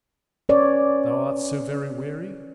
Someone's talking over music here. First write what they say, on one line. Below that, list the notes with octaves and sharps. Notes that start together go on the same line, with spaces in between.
Thou art so very weary?
C#4 B4 C#5 D5